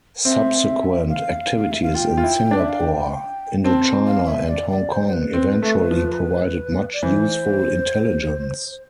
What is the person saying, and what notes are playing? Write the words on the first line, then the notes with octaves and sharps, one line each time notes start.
Subsequent activities in Singapore, Indo-China and Hong Kong eventually provided much useful intelligence.
C4 E5
F5
E5
F5
F4 G5
F4
E4
D4
E5
F5
G5
C4 A5
F5
E5
D5
D5
C5
C5
B4
C4
A3
F3
D5
E3 C5